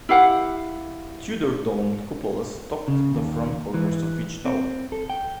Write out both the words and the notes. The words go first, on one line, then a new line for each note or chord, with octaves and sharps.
Tudor domed cupolas topped the front corners of each tower.
E4 G4 F5 F#5
C#3
D#2
E3
C4
A4
G5